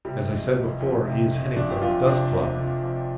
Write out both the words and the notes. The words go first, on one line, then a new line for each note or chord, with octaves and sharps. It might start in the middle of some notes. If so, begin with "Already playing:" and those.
As I said before, he is heading for a dust-cloud.
C3 G3
F1
F1
F2
C3
F1
F1 D4
G4
F2 F4
C3 D4
F1 C4
F1
F2